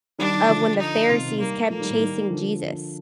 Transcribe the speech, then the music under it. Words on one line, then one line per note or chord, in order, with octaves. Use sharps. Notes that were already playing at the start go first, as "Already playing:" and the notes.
of when the Pharisees kept chasing Jesus
D#3 G3 D4
D#3 G3
D3 F3
D#4
C3 D#3 F4
C3 D#3
D#3 G3 A#3
F3 A3 A#3
D#3 G3
A2
D#3 G3
D3 F3